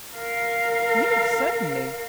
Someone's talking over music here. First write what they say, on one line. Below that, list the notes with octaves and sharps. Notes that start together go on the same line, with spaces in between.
"Yes, certainly."
A#4 F5